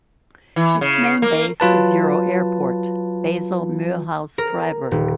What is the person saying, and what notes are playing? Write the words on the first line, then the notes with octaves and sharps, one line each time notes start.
Its main base is EuroAirport Basel-Mulhouse-Freiburg.
E3
C#3
A#3
F#3 F4 B4 A5
A#4
D#1